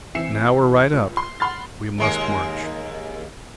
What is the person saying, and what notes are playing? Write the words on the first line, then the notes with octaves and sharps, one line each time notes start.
Now we are right up, we must march.
E3 C4 E5 C7 C#7 E7
C#2
C6
F#5 B5 C6 F6 A6
D#2 G#3 A#3